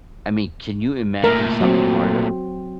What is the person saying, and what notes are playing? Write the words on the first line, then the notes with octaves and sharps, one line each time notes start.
I mean, can you imagine something harder?
A#2 A3 A#4
F#3 C4